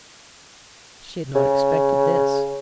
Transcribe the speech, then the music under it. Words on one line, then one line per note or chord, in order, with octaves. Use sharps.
She had not expected this.
C#3